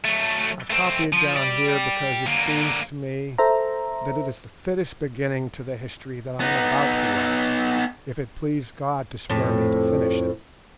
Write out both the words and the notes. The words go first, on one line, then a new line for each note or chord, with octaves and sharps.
I copy it down here because it seems to me that it is the fittest beginning to the history that I am about to write, if it please God to spare me to finish it.
F#3 A3
A3 C4
F3
G4 D5
D3 A#3
A4 C5 E5 A#5
B3 D#4
F2 A2